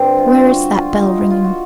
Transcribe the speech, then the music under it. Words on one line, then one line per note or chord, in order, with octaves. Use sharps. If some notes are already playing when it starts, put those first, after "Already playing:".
Where is that bell ringing?
Already playing: G2 D3 G3 C4
F4
F#4
F4
D#4
E4
F4
F#4